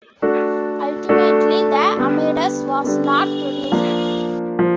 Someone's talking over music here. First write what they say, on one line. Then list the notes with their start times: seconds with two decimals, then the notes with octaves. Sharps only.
Ultimately the "Amadeus" was not produced.
0.22 A3 D4 F#4 A4
1.09 A3 D4 F#4 A4
1.97 D3 G3 B3
2.84 D3 G3 B3
3.72 F3 A#3 D4
4.59 F3